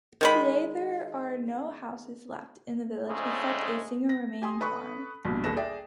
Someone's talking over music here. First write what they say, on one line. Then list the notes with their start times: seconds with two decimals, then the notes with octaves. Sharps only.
Today there are no houses left in the village except a single remaining farm.
0.21 D#3 G#3 B5
3.06 F2 G#2 C#3 G#3 A3 D4
4.09 A#6
4.42 G4 G#5 C6 D#6
4.60 A4 B4 B5 C#6 D#6
5.25 A#1 G2 B2
5.44 D#2 G#4 A4 B4 A#6 E7
5.56 G#4 D5 E5 G5